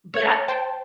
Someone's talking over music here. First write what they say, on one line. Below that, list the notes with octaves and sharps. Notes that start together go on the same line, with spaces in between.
but, ah
C#5 G#6 C#7
C5 G5 A5